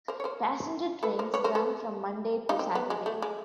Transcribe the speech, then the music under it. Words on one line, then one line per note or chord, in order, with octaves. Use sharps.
Passenger trains run from Monday to Saturday.
A#4 C5
C#5
A#4 C5
A4 B4
A#4 C5
B4 C#5
A#4 C5
A4 B4
D#4 F4
C4
B3
G#3
A3
G#3